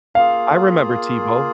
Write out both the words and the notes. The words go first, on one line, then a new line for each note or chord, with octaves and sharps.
I remember TiVo.
A#3 F4 G#4 F5